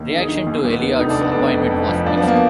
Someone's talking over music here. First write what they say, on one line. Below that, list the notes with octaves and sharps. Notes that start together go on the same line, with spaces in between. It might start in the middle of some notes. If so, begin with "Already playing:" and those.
Reaction to Elliott's appointment was mixed.
Already playing: D#2
D#3
G#4
D#3
D#2
D#2
B3
D#3
F1 D#4
D4
F1 B3
F1 D4
F2
F2
F3
F3 D4
B3
F3 A#3